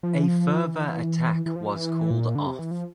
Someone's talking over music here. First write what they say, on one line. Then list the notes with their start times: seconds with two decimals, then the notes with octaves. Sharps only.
A further attack was called off.
0.03 F3
0.14 E3
0.23 F3
0.65 E3
1.46 E3
1.56 F3
1.74 E3
2.11 A#2
2.35 D3
2.47 C3
2.59 E3
2.71 F3